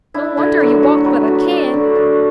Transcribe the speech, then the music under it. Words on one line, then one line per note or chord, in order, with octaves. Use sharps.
No wonder he walked with a cane!
D4 E4
D3 E4
F#3 F#4
A3 F#4
F#3 B4
F#3
F#3 D5
D3
D4 D5